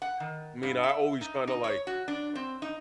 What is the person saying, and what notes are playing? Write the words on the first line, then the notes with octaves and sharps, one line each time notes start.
I mean, I always kinda, like
F#5
D#3
G2
E5
D#4
D#4
C#5
F#4
D4
C4
D#4